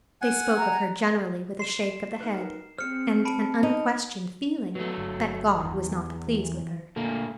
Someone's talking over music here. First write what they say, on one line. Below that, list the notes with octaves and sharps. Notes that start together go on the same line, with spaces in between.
They spoke of her generally with a shake of the head, and an unquestioned feeling that God was not pleased with her.
F#5 G#5
A#5
C6 C7 E7
D#4 A#4 B4
C4 G#4 C5 F6 C#7
A5 B5 D7
D#4
F#3 A3 B3
G1
E2
E3
A#2 D3 A3 A#3